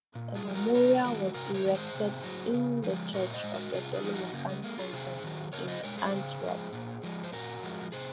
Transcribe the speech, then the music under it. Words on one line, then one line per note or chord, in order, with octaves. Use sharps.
A memorial was erected in the church of the Dominican convent in Antwerp.
A#2
F4 G#4
F3 G#3
F#4 A#4
C3 A#4 C#5
D#3 G#3 F#4 A#4
C3 F#4 A#4
A#4 C#5
D#3 G#3 A#4
G#4 C5
C3
F#3
C#3
F3 G#3
A#2 A#4 C#5
C5 D#5
G#3
F#4 A#4
C3 F4 G#4
F4 G#4
F3 G#3
D#4 F#4
C#3 A#3
G#3
G#3 A#3
F4 G#4
C3 G#4 C5
D#3 F#3
C#3 A#4 C#5
C5 D#5
G#3 A#4 C#5
G#4 C5
C#3
F3 G#3
A#2
F3 G#3
C5
A#2 F#4 A#4
F3 G#3
C3 G#4 C5